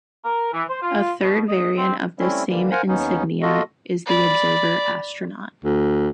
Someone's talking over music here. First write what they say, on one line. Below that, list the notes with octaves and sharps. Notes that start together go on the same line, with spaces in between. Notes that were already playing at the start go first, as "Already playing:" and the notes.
A third variant of this same insignia is the Observer Astronaut.
A#4
E3
C5
F4
B2
D#5
C4
G3 A3 C4 C#4 E4
D3 E3 G3 A#3
A#4 C5 F5 F#5 G#5 A#5
D#2 B3 C#4 D#4
F4 F#4 A4 D#5
D5 B5
D2